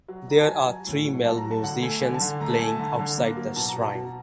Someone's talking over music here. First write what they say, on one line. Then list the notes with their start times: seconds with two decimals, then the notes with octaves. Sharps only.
There are three male musicians playing outside the shrine.
0.08 F#3
0.28 F#3 A#5
0.39 A5
0.47 F#3 G#5
0.66 F#3
0.87 A2
1.06 F#3
1.25 A2 A5
1.37 A#5
1.44 F#3
1.51 A5
1.63 D3 F#5
1.82 A3 G#5
2.02 D3 G#5
2.14 A5
2.21 D3
2.40 A3 A#5
2.49 A5
2.59 A3 G#5
2.68 A5
2.79 D3
2.99 D3
3.18 A#3
3.37 F#3
3.56 B2 A5
3.69 A#5
3.76 B2
3.82 A5
3.95 B2